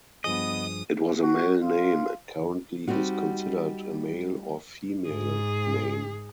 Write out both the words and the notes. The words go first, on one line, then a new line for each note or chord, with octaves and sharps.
It was a male name and currently is considered a male or female name.
G2 F3 B3 G#4 D#5 D#6
F#4
F4
G3 C4 D#4 F#4
G#2 G#4